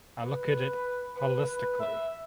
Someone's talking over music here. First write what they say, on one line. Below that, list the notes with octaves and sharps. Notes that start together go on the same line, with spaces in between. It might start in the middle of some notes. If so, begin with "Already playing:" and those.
I look at it holistically.
B4
B4
B4
E5